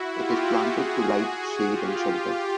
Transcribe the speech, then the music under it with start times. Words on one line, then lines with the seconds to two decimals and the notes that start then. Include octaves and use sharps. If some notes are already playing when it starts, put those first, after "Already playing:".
It is planted to light shade and shelter.
Already playing: E4 F#4
0.12 F4 G4
0.64 F#4 G#4
1.15 F#4 G#4
1.67 F4 G4